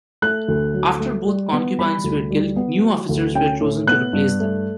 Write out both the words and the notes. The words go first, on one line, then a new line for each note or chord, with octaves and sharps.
After both concubines were killed, new officers were chosen to replace them.
A3 F#6
D2
F#3
A3
G3
B3
G3 B5
D2
G3
B3
F#3
D2
C#4 G5
A2
B3 F#6
G2
A3